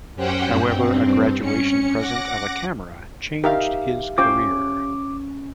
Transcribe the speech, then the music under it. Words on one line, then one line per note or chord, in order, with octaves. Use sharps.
However, a graduation present of a camera changed his career.
F#2 C#4 G4 C5 F#5 G5
G2 C4
C#4 C#7
F#5 D6 A#6
D#4 G4 A#4 E5 F5
C#4 F4 C5 G5 D6